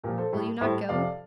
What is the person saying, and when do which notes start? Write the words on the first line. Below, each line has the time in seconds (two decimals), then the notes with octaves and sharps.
'Will you not go?
0.03 A#2 F3 G4 A#4
0.18 A4 C5
0.32 A2 G3
0.61 A2 C5 E5
0.65 G3
0.89 F2 C3 F3 D5 F5